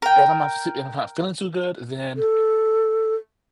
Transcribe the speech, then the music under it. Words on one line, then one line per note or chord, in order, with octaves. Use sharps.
if I'm not s if I'm not feeling too good, then,
A#4 G5
A4